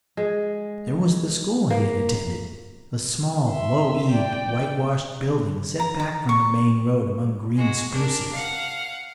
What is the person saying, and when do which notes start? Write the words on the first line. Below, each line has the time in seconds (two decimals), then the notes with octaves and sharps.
There was the school he had attended, a small, low-eaved, white-washed building set back from the main road among green spruces.
0.17 G#3
1.70 A#3
3.49 E5 C6
4.09 D5 G5
5.80 A#5
6.00 A#5
6.29 C#6
7.56 G#3 F#4
7.91 D4 A#4
8.31 F5 F#5